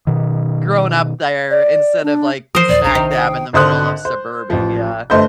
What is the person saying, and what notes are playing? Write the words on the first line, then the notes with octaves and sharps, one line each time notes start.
grown up there instead of like smack dab in the middle of suburbia
B2 D#3
D5
D4
E3 F3 A#4 C5 D#6 C7 D7
D#2 A#2 D5
B1 D4 A#5
C3 D#3 C4
G5
G#1 D3 C5 D#6 F#6
C5
A1 F3
G1 A3 C5 D#5 G6